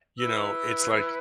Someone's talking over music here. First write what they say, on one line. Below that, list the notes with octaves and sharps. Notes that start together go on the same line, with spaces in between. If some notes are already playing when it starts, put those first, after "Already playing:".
you know, it's, like,
E4 B4 E6